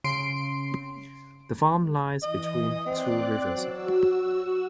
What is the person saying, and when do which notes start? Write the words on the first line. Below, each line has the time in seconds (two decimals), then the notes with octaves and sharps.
The farm lies between two rivers.
0.04 C#3 C6 C7 D7
2.23 E3 D#5
2.86 C4 D5 D6 F#6
3.55 F#3 F#4 E6